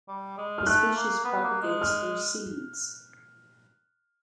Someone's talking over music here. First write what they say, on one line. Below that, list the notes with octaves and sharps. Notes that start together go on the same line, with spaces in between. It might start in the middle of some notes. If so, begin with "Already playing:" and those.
The species propagates through seeds.
G3
G#3
F6
A3 F#6
A#3
B3
A#3
G#3
F6